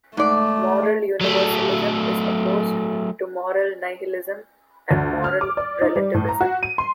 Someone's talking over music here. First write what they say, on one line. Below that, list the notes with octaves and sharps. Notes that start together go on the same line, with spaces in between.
Moral universalism is opposed to moral nihilism and moral relativism.
G#2 A3 D5
F#3 A3
D2
F6
D6
D5
D#4
G3
A2
A#5
F#4
D#7
C6